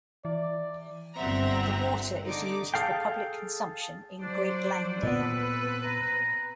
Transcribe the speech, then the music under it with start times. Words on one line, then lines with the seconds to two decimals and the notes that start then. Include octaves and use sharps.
The water is used for public consumption in Great Langdale.
0.25 E3 D5
1.17 G1 G2 C4 E5 F#5 A#5
2.26 D3 D#4 D6
2.74 G#4 A4 F5 G5
4.22 F#3 D4 C5 D5
5.03 A#2 B3 C4 A4 B4
5.83 A#5